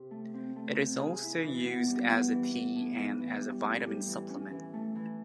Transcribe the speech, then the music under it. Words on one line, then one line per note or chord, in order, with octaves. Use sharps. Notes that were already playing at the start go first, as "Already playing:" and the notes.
It is also used as a tea and as a vitamin supplement.
Already playing: C3
A3
C4
A3
C4
G#4
E4
E3
B3
G3
B3
E3
B3
A2
E3
E3
G3
A2
G3
E3
C#4
E3
A3
E3